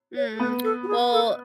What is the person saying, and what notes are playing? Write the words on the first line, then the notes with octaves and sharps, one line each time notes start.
Mm, well,
C#5
A4
B3 B4
A4
F#4
G#4
A4